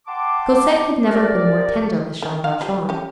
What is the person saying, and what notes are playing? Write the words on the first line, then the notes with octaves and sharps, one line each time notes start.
Cosette had never been more tender with Jean Valjean.
F#5 G5 A5 C6 D6
C2 A#4 D5
D#3
F5
G3 F4
C#4 G4